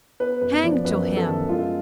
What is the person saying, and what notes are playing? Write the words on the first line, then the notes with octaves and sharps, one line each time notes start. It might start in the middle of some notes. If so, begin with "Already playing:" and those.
Hang to him!
B3 B4
F#2 B4
F3 D5
F#2 B4
B3
A4
F#2
G#3 F4